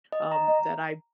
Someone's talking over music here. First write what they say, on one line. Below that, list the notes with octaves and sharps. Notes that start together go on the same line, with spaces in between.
um, that I
D#5
A#5
D#5